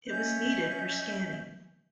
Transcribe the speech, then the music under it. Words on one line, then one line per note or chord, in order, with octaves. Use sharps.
It was needed for scanning.
C#4 D#5 E5 G6